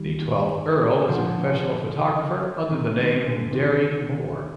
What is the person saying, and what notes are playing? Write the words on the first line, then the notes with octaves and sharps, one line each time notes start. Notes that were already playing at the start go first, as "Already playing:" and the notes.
The twelfth Earl is a professional photographer under the name "Derry Moore".
Already playing: D#3 G3
D3 F3
C3 D#3
C3 D#3
A#2 D3
C3 D#3